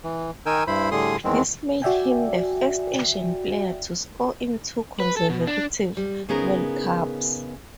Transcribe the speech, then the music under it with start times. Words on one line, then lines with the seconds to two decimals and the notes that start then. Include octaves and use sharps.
This made him the first Asian player to score in two consecutive World Cups.
0.04 E3
0.46 D#3 D#4 A#4 G5 G#5 E6
0.67 G2 E4 C5 B5
0.91 A2 D3 G3 G#4 C6 D#6
1.24 E2 D#3 G#3 C4
1.82 F#4 D5 E5 G5 G#5
5.00 B4
5.17 A4
5.30 B2
5.47 D4
5.97 G3
6.29 C#3 B3 D#4 G#4 A#4